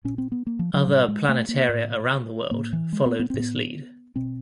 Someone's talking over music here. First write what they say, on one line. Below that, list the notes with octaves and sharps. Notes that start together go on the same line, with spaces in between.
Other planetaria around the world followed this lead.
A#2 C#4
C4
B3
A#3
F3
F#3
A2 G3
G#3
A3
A#3
A2
A2 A#3
E3
G#3
B3
B3
A2 C4
B3
B2 C4